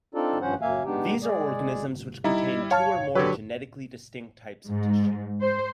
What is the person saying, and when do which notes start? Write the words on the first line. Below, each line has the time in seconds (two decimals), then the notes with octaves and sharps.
These are organisms which contain two or more genetically distinct types of tissue.
0.14 C4 D4 D#4 F4 A4 D5
0.41 G2 F3 C#4 C5 F#5
0.61 F#2 A#3 E5 F5 G#5
0.85 G#3 B3 D4 D#4 G4
1.22 G#3 G#4 D5
2.24 G3 D#4 E4
2.71 C#5 F5 A5
3.15 D3 F#3 G4 B4
4.68 G#2
5.41 C5